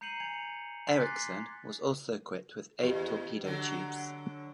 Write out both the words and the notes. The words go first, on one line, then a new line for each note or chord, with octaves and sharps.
"Ericsson" was also equipped with eight torpedo tubes.
A#5 G6 C7 C#7 D#7 F#7
G#5 G#6 C#7 F7
G#5 C6 A6 B6
C6 D6 F#6 G#6 A6 C7
E2 G4 D#5
D3 F#3